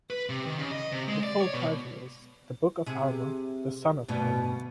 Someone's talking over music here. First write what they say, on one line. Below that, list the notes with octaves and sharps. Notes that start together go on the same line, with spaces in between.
The full title is The Book of Alma: The Son of Alma.
B4
C3
D#3
C#3
D#5
C3
G#3
D5
C#5
B2
C3 G#4
D2 G2 B2